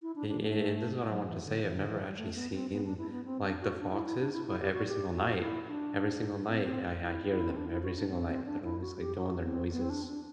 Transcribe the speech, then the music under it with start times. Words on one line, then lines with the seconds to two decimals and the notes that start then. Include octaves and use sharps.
an an and this is what I wanted to say I've never actually seen like the foxes, but every single night, every single night, I I hear them every single night. They're always like doing their noises,
0.02 E4
0.16 D4
0.28 D4
0.42 A3
1.10 F#3
1.27 E3
1.45 D3
1.64 E3
1.77 D3
1.90 E3
2.04 G3
2.17 A3
2.35 B3
2.53 C4
2.71 B3
2.85 D4
2.98 E4
3.12 B3
3.25 C4
3.43 D4
3.61 F#4
3.79 D4
3.92 E4
4.06 E4
4.20 D4
4.33 E4
4.46 E4
4.60 G4
4.73 F#4
4.87 G4
5.14 F#4
5.40 E4
5.68 D4
6.48 C4
6.66 C4
7.02 E4
7.29 E4
7.50 C4
7.56 D4
7.69 E4
7.83 F#4
7.97 D4
8.10 C4
8.28 C4
8.46 D4
8.64 E4
8.81 F#4
9.00 G4
9.17 F#4
9.45 C4
9.72 B3
9.81 C4
9.90 D4
10.07 D4